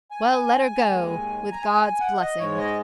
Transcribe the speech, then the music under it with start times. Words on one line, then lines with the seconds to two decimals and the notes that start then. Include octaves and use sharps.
"Well, let her go, with God's blessing!"
0.11 G#5
0.87 D#2 D#3 G#3
1.52 A#5
1.63 G#5
1.81 G#5
2.00 F#5
2.20 D#5
2.38 G#2 G#3 C#5
2.58 D#5